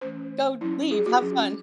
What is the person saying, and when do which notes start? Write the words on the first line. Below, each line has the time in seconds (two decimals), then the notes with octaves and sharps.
go, leave, have fun."
0.01 E3 A3 C#4 C5
0.61 F#3 C#4 E4
0.91 G#4
1.06 F#4
1.21 F#3 C#4